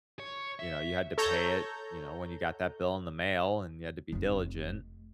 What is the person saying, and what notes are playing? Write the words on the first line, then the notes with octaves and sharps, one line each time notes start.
You know, you had to pay it, you know, when you got that bill in the mail, and you had to be diligent.
C#5
E5
A4 C#5 A#5 G6
F1 D#4